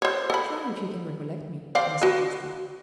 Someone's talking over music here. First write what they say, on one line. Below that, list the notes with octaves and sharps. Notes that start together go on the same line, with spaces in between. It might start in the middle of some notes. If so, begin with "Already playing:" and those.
"Try if you can recollect me," I suggested.
C5 C#5
A4 B5
C4 D5 F5
F#4 B4